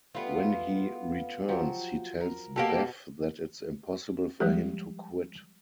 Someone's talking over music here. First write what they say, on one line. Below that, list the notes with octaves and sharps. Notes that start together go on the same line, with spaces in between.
When he returns, he tells Bev that it's impossible for him to quit.
G3 A3 B3 F4
F3 F#3 G4
A#4
B2 A#3 G4 A4
F3 G3 G#3 G4